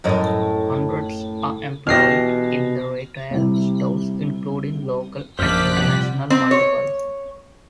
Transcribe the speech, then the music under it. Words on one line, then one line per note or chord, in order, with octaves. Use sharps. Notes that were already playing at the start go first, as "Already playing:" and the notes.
Hundreds are employed in the retail stores including local and international multiples.
F#2 A2 D#5
B2 E3 D4 G4 F6 A#6 C7
C3 G3 E4
A#1 F#2 C5 D5 F6 F#6 B6
C3 F3 G3 F#5
C4
C#5